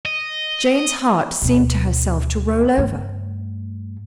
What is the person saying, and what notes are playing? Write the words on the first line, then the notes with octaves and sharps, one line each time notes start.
Jane's heart seemed to herself to roll over.
D#5
D2 B2
G2 A3